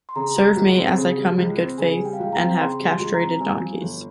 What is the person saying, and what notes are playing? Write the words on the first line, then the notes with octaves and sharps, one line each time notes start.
Serve me, as I come in good faith; and have just castrated donkeys.
C6
C#3 A#5
G3
C#2
C4
C#3
G3
C#2
C4
C#3 G#5
G3
G5
F5
C#2 G5
A#5
C4
C#3 C6
G3
C6
C#2
A#5
C4
G2 G#5
F3
G1